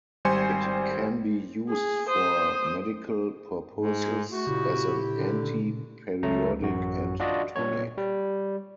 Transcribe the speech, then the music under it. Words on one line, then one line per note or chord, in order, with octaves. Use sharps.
It can be used for medical purposes as an anti-periodic and tonic.
G#1 G3 C5 G#5 C6 C#7
G#4
C5 D#6
G#2
A3 F#4
A#2 C#3 E4 G4
D3
C#2 F#3 A3 A#5
A1 F#2 F#4
D4 F4 F#4 D5 D#5
A#2 C#5
G3